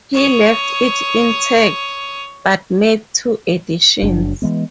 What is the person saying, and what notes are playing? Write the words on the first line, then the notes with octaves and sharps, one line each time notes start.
He left it intact, but made two additions.
C#5 D#6
F#1 F#3 D4
E3 G#3 B3